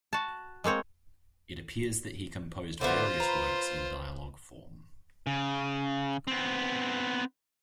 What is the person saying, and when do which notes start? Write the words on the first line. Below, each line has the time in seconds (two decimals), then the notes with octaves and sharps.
It appears that he composed various works in dialogue form.
0.13 F#4 A5
0.64 G#3 A#3 C4 C#5 F#5
2.81 D3 A3 B3 F4 C5
3.20 B4 A#5
5.27 C#3
6.27 B3 C4